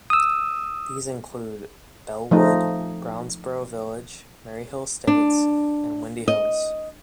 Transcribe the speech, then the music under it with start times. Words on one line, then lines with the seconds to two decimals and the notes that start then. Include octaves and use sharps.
These include Bellewood, Brownsboro Village, Maryhill Estates and Windy Hills.
0.10 D#6 E6
2.31 F3 A3 D#4
5.07 D4
6.28 D#5